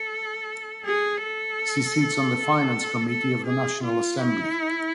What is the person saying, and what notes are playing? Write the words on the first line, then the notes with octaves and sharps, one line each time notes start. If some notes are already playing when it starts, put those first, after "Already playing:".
She sits on the Finance Committee of the National Assembly.
Already playing: A4
G#4
A4
A4
G#4
F4
E4